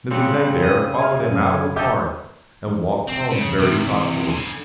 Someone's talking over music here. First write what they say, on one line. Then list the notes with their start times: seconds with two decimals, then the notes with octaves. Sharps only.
Mrs. Adair followed him out of the park, and walked home very thoughtfully.
0.11 C#3 G3 C4 F#5
0.63 D#6
0.98 E5 G#5 F6
1.29 F#2
1.76 G4 A4 D#5 E5 G6
3.07 C4
3.31 C#3
3.58 C3 E3
4.29 D3 G#5